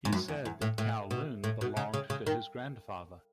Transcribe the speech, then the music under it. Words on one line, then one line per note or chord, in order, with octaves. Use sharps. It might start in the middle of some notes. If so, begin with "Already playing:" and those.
He said that Kowloon belonged to his grandfather.
G#2
F#2
E2
E2
A2
A2
B2
A2
B2
C#3
C#3
C#3
D#3